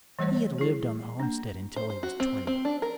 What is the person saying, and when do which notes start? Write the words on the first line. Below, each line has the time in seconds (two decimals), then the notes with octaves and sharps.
He had lived on the homestead until he was twenty.
0.19 E3 G3 A3 C5 C#5
0.58 E4 G#4
1.20 A#3 D4
1.76 C5
1.90 C5
2.03 F#4
2.20 C4
2.47 C4
2.65 D4
2.82 A#4